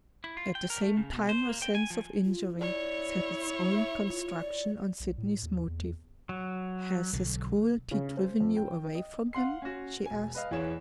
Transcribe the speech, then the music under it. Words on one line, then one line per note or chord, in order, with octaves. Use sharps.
At the same time her sense of injury set its own construction on Sydney's motive. "Has his cruelty driven you away from him?" she asked.
E4
F4
G5
A#4
A3
C#3
B2
C5
A#3
G5
G#5
F3
F4
E4 C#5 D5
E5
F4
D5
B1
A2
D#2
E2
F#3
B1 D3
C#3
C5
F2
G5
D#5
F5 F#5 C6 C7
C#4 F#4
E1 G#5
B4 D#5 F5
E2 E3 G#4 C#5 E7